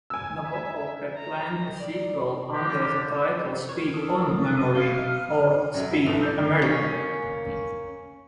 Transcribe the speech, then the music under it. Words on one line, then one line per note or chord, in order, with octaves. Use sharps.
Nabokov had planned a sequel under the title "Speak on, Memory" or "Speak, America".
G#5 E6
E5
A#5
D5
D3 A#3 D4 G4
A#4 C#5
A4 D6 D#6
C#4 E6 D#7
E4 F5 F6 G7
F#2 F#3
E4
G1 A4 D#6 F7
D5 G6
A#3 C#4